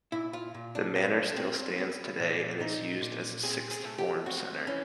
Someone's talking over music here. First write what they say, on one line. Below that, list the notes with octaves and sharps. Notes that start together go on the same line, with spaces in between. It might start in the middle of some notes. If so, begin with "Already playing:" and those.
The Manor still stands today, and is used as a sixth form centre.
A#2 E4
F4
A#2
D4
C4
C4
B3
A#2
A#2 D#4
A#2
C4 G#4
G#4
A3
G4
C4 F#4
E3 C#4